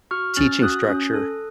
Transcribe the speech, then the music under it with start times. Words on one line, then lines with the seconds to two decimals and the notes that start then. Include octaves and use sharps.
teaching structure.
0.11 F#4 C#6 F6
0.36 C#4 F6 A6
0.62 F#4 D#6 F#6
0.88 C#4
1.14 A4